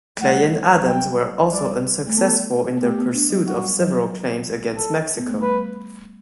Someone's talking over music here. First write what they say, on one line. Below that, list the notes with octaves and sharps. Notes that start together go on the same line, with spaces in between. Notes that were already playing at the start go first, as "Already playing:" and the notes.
Clay and Adams were also unsuccessful in their pursuit of several claims against Mexico.
A3
G3 F#5
F#3
G3 G5
G3 D5
A3
B3 A4
B3
A3 G4
B3
D4
F#3
G3 F#4
F#3
A4
B3
A3
G3 B4